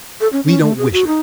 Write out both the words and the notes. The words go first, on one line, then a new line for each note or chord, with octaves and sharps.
We don't wish it.
A4
C#4
C#4
A3
G#4
F#4
D#4